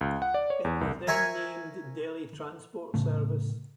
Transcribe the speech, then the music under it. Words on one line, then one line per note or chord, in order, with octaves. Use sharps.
It was then named "Delhi Transport Service".
C#2
F#5
D5
C#5
E2
C2
A#4 E5 G#5 C#6
A2 C#3 A3